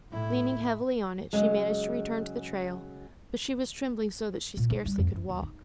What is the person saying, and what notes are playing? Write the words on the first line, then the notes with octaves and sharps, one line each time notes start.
Leaning heavily on it, she managed to return to the trail, but she was trembling so that she scarcely could walk.
A2 E4
C#3 F#3 G#3
A#2
D#4
G3
F2
F#2
D#2
D#4